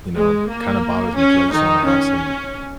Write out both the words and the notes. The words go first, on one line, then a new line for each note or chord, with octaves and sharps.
you know, kinda bothers me 'cause I just wanna have some
G#3
A#3
C#4
D#3 D#4
C#4